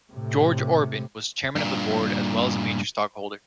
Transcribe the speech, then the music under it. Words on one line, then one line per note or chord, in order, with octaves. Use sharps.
George Orban was chairman of the board as well as a major stockholder.
A2 C3
G2 A#2